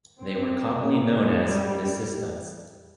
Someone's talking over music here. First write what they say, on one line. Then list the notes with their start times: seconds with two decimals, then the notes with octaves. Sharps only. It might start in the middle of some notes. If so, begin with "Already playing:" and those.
They were commonly known as "Nacistas".
0.20 C4
0.82 A#3
1.12 G#3
1.43 G3